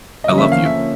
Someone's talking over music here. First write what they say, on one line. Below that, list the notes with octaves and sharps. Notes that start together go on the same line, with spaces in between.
I love you.
D3 F3 A#3 C#4 D#5
E5
F5
E5